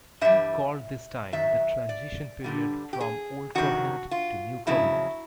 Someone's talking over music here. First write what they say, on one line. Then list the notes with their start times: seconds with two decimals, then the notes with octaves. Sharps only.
He called this time "the transition period" from Old Covenant to New Covenant.
0.21 G2 E3 G3 E5
1.33 F#2 D#3 F#3 E5
1.89 D5
2.44 G2 D3 G3
2.93 G4
3.00 G#4
3.55 F2 C3 D#3 F#3 F#4
4.11 F4
4.67 F2 C#3 F#3 E4